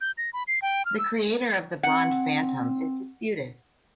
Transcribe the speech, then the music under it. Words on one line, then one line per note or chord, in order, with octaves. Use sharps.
The creator of the Blonde Phantom is disputed.
G6
A#6
B5
C7
G5
F6
E6
C4 F#5